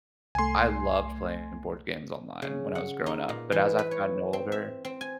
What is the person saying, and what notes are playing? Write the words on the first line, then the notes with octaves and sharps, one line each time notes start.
I loved playing board games online when I was growing up, but as I've gotten older
C2 A3 G#5 C6
C#3
F#5
D#4
A#2
E3
B4
C#5
C4
E5
C4
G#5